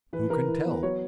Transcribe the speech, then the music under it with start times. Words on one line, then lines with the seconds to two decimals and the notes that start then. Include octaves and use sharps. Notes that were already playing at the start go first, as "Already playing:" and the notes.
Who can tell?
0.13 E3 B4
0.30 E3 A#4
0.48 E4
0.66 B3
0.83 F#3 C#5